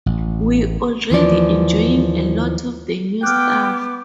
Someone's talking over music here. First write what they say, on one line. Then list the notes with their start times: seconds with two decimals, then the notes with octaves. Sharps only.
We're already enjoying a lot of the new stuff.
0.06 A1
1.10 D#2 E3 F3 D5
3.23 B3 G5 D6 F6 F#6